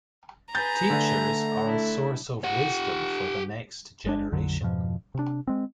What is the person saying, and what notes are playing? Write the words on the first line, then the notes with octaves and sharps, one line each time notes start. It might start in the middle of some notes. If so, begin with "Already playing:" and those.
Teachers are a source of wisdom for the next generation.
G#4 B4 A#5 G6 A6
D3 A3
D4 E4
G4 F#5
G1 G#3 D4
A#1 F2 D3 F#3
F2 G#2 B2 F3
C3 D4
G#3 C4